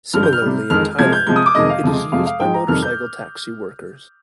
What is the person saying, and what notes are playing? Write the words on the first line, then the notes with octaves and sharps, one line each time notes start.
Similarly in Thailand, it is used by motorcycle taxi workers.
G2 D3 F3 F6
G6
F6
C3 G3
F2 D#3 G#3 F6
C3 F3 G#3 G#6
G6
C3 F3 G#3 G6
D#6
D6
F2 C3 D#3 G#3 D#5
F5
F2 C3 F3 G#3
F2 C3 F3 G#3 F5
F5
G#2 F3 G#3 G5
A#5
F2 C3 D#3 G3 F6
G6